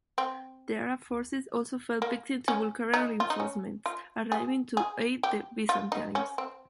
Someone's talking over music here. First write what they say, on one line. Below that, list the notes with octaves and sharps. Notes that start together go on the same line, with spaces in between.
The Arab forces also fell victim to Bulgarian reinforcements arriving to aid the Byzantines.
C4
A#3
C#4
D#4
F4
D#4
C#4
F4
G#4
G#4
G4
F4
D#4
C#4
C4